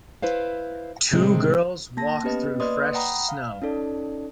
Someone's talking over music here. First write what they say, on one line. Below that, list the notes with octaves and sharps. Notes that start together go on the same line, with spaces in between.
Two girls walk through fresh snow.
E4 B4 C5 F5
A2 C3 D#3 G#3 C4
A#3 A5 A#6
B3 C#4 G4 B4 D#5
A#3 B4 D5 D#5 C6 D#6
F#5 G5 A#5 B5 D#6
F5
C#4 D#4 A4 D5